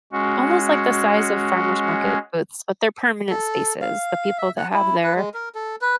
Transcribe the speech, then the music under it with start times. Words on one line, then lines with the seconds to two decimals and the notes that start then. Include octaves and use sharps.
almost like the size of farmers' market booths, but they're permanent spaces, the people that have their
0.12 G#3 C#4 F#4
3.30 A4
3.81 F5
4.38 E5
4.57 F#5
4.73 E4
5.04 B4
5.16 G#3
5.34 A#4
5.55 A4
5.81 B4